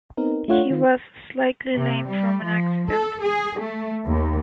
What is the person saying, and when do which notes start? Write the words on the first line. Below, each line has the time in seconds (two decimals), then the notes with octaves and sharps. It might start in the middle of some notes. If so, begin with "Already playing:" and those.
He was slightly lame from an accident.
0.17 B3 C4 D#4 A#4
0.48 A3 D4 F4 C#5 F#5
0.70 D#3 F4
1.75 C3
2.07 G3
2.44 F3
2.91 A4
3.22 G#4
3.60 A3
4.06 D#2